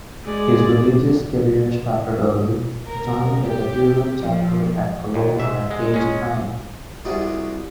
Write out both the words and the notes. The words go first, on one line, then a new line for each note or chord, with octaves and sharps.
His religious career started early, joining the cathedral chapter at Cologne at age nine.
G#3 D5
A#4
G4
F3
D#2
G#2 E5
G#3
G#3 C#4
C2 B2 F4 F#4 G#4 D#6